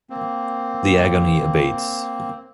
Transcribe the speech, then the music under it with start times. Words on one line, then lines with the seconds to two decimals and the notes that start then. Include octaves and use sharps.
The agony abates.
0.10 A#3 C4